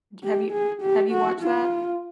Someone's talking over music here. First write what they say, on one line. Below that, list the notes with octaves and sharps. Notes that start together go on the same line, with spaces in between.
Have you have you you watched that?
G4
G#4
G4
F#4
F4